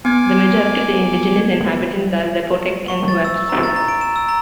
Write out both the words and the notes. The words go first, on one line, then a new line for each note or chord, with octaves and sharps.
The majority of the indigenous inhabitants are Zapotecs and Huaves.
B3 G#5 D6
C#6
A6
E6
A#5
A6
A#5
D7
E7
E6
A#5